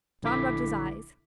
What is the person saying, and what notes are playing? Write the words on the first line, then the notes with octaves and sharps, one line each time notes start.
John rubbed his eyes.
A#1 D3 E4 D6 B6